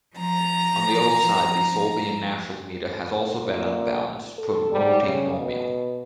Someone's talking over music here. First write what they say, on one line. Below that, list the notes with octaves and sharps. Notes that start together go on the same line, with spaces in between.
On the other side, the Serbian national media had also been unbalanced, promoting Momir.
F3 A#5
A#2
A4
G3
C#3
B2